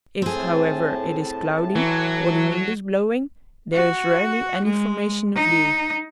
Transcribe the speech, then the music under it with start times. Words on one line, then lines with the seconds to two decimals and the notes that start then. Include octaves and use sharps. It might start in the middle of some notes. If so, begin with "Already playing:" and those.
If, however, it is cloudy or the wind is blowing there is rarely any formation of dew.
0.22 A2 C4 G#4 A5
1.75 E3 F#3
3.73 F#4
4.64 G#3
5.35 D#4